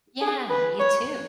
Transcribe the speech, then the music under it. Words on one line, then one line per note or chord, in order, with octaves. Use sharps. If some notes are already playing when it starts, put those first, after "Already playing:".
Yeah, you too.
G#4
B4
C#5